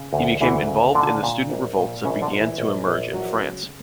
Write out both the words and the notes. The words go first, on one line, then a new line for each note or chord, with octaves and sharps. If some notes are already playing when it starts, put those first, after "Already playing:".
He became involved in the student revolts that began to emerge in France.
Already playing: C#3
D2
D2 E3 E4
C#3
A#2 D3 D4
A#2
A#1
A#2
A#1 C#3 C#4
D3 D4
A#1
E3 E4
A#1
A#1
E3 F#3 F#4
C#3